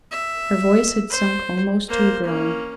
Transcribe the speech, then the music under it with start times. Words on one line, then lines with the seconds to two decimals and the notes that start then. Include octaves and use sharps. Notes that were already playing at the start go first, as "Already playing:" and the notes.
Her voice had sunk almost to a groan.
0.12 E5
1.10 C5
1.88 A#3 C5
2.24 A#3 C#4